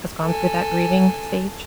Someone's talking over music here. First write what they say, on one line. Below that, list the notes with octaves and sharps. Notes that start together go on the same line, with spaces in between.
has gone through that grieving stage?
A4 G#5